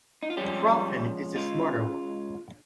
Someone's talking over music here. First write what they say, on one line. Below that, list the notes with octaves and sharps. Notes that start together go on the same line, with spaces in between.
Proffen is the smarter one.
D#4
F4
C3 F3 G3 G#3 C#4 G4
C#2 C#3 G#3 F4